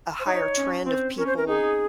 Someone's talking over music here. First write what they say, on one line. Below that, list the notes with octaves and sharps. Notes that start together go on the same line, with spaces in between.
a higher trend of people
C5
D#4 C#5
C#4
C4 C5
C#4 A#4
C5
A#4
D#4 G#4